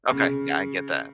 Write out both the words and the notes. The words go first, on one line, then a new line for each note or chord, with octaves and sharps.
Okay. Yeah, I get that.
C#3